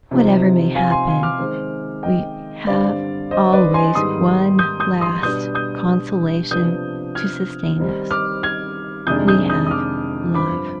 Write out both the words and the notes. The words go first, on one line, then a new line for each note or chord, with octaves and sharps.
Whatever may happen, we have always one last consolation to sustain us--we have love.
C3 F3 C4 D#4
F5 G#5
G#5 C6
F5 G#5
D6 F6
D#3 G#3 C4
D#5 G5
G2 D3 G3 C4 D5 F5
C5 D#5
B4 D5
G#5 C6
G#2 D#3 G3 B3 C6 D#6
D#6 G6
D#6 G6
C6 D#6
B2 G3 D4 D#6 G6
D#6 G6
C3 F3 B3 D4 D#6 G6
F6 G#6
D#3 G3 C4 D#4
D6 F6
F6 G#6
F2 C3 D#3 G#3 D4 D#6 G6
D#6 G6
D#6 G6
D#6
D6 F6
G2 F3 C4 B5 D6